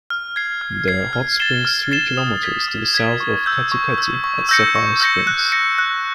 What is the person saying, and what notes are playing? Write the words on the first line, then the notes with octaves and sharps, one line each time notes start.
There are hot springs three kilometres to the south of Katikati at Sapphire Springs.
F6
G#6 C7
F6
G#6 C7
F6
A6 C7 E7 G7
F6
A6 C7 E7 G7
D#6
G#6 B6
D#6
G#6 B6
C#6
E6 G6
C#6
E6 G6
C#6
E6 G6 A#6 C#7
C#6
E6 G6 A#6 C#7
F#6
A#6 C#7
F#6